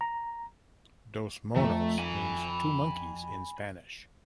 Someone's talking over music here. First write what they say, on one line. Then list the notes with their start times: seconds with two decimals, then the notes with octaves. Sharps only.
Dos Monos means "two monkeys" in Spanish.
0.01 A#5
1.56 F2 A3 A#5
1.99 G#5 B5